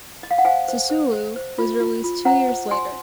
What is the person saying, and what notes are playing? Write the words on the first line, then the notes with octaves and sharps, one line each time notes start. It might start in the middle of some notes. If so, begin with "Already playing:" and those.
Sisulu was released two years later.
D#5
F5
F#5
C5 F5 G#5
C5
C5
C5
C5
F4
F4
F4
C5 F#5 A#5
C5
C5 G#5 C6